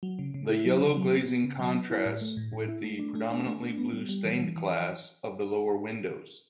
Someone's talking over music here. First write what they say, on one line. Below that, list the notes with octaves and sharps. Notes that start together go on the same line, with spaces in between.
The yellow glazing contrasts with the predominantly blue stained glass of the lower windows.
F#3
C#3
C#3
E4
F#3
C#3
F#3
B3
B3
C#3
F#3
B3
E4
A2
A3
A2
A2
E4
A3
D4
A3
D4
A3
D4
B3
G3
G3
E3
E3
E3